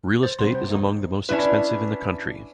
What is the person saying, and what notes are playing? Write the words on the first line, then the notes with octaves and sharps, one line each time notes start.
Real estate is among the most expensive in the country.
C5 A6
C3 G3 B3 C6
C5
E2 A#3 D#4
C#4 D4 E4 B4